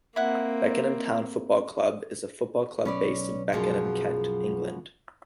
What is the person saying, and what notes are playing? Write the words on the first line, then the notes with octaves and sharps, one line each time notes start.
Beckenham Town Football Club is a football club based in Beckenham, Kent, England.
A#3 C4 E4 F#5
B1 C#4 B4 D5
F#2 B2 F3 G#4